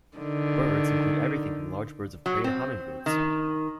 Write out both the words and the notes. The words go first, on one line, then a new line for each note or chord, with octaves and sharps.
Birds include everything from large birds of prey to hummingbirds.
D3 D#3
F#3
C4
D#3